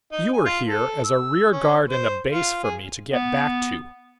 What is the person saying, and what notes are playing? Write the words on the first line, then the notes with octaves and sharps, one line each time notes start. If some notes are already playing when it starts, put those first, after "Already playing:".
You are here as a rear guard and a base for me to get back to.
D#4
G#5
F4
A4
E6
C#4
C5
F4
G#4
B3